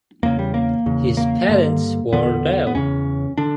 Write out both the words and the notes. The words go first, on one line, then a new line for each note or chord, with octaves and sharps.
His parents were Rev.
E2 C#3 A#3
G3
A#3
E2 C#3
A#3
G2 D3
E2 D3 B3
B3
E2 C#3 C#4
D3 D4